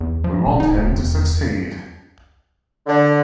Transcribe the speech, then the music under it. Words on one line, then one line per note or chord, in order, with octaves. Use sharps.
We want him to succeed.
E2
F3
F1 A#2
D#1 D#4
D1 D2
E1 E2
D3